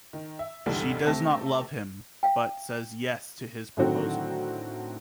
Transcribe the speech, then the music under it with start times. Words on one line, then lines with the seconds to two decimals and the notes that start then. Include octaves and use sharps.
She does not love him but says yes to his proposal.
0.13 D#3
0.39 E5
0.66 F1 D2 G#2 E3 G3 A5
1.05 C3 A3 C4 A5 A#6
2.23 E5 F5 G5
3.77 A2 D3 D#3 F#3 C4 F#4